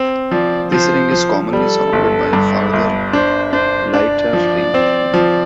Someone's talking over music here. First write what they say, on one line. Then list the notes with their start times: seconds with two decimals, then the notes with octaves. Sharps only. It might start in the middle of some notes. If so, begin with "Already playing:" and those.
This ring is commonly surrounded by a farther lighter ring.
Already playing: C4
0.32 F3 D5
0.72 F3 C5
1.12 F3
1.53 G3 A4
1.93 G1
2.33 G2
2.73 G1
3.12 D4 C5
3.53 D4 C5
3.93 D4 D5
4.33 F3
4.74 C4
5.14 F3